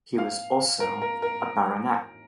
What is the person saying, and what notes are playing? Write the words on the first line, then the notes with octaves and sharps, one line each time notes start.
He was also a baronet.
F5
A#4
A#4
A#4